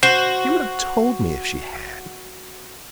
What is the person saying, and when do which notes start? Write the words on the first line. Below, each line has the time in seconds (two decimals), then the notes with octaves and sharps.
She would have told me if she had.
0.03 F#4 C5